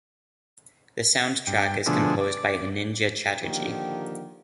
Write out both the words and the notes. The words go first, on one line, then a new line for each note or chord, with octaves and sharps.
The soundtrack is composed by Anindya Chatterjee.
G2 G5
B2 D3 F3 A3 D4 G#4
D5
D3 D#3 F3 A#3 G4